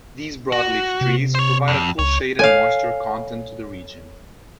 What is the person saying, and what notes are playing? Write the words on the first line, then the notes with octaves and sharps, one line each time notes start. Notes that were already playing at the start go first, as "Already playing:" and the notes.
These broadleaf trees provide a cool shade and moisture content to the region.
F#4
C3
C5 C#5
F2
C#2 C#5
A4 C#5 F5 G#5